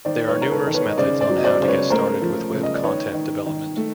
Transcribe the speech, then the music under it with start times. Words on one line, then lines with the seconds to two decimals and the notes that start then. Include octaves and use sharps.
There are numerous methods on how to get started with web content development.
0.05 D#3 C5 D5
0.28 B4 C#5
0.36 D#3
0.42 A#4
0.52 A4 B4
0.67 D#3
0.74 B4 C#5
0.89 D#5
0.97 C#3 C5 D5
1.21 C5 D5
1.30 F#3
1.38 D#5
1.44 C5 D5
1.60 C#3 C5
1.68 B4 C#5
1.90 A3 A#4 C5
2.22 F3
2.53 C#3
2.63 D#5
2.74 D5
2.83 D#3 B4 C#5
3.14 D#3
3.46 D#3
3.77 A3